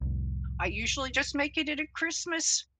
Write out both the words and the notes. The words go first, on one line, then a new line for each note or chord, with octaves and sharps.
I usually just make it it at Christmas.
C2 F2 A2